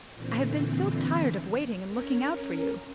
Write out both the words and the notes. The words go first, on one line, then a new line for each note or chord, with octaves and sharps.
I have been so tired of waiting and looking out for you.
A#2 D3 E3 C4
C#4 A#4